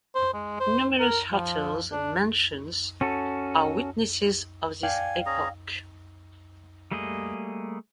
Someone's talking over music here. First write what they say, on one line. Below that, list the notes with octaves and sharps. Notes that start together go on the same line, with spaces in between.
Numerous hotels and mansions are witnesses of this epoch.
C5
G#3
C5
A#4
F3
D4
C#4 F#4 A4
D5 F5 G5 G#5
C#4 G#4 A#5
G3 A3 A#3 G#4 D#5